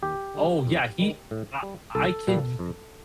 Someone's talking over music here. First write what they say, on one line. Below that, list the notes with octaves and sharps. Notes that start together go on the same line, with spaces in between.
Oh yeah, he I I could d
D#2 G4
D3 G3
F2
D#3 G3
A2
G3
C2 A4
A#2 G3
F2